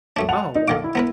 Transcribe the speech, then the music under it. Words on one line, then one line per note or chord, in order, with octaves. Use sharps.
Oh, wow.
F#2 A3 D4
F#5 A5 F7
D#4
D3 D#3 F5 D6
E4
B3 A#4 B4